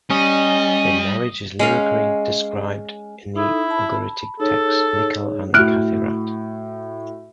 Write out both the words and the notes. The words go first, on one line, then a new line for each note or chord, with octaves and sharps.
Their marriage is lyrically described in the Ugaritic text "Nikkal and the Kathirat".
G3 C#4 D#5
G#3 C#4 F5
D#4 E4 A4
A5 B5
D#4 G#4 A4 C#5
A2 F#4 F6 F#6 D7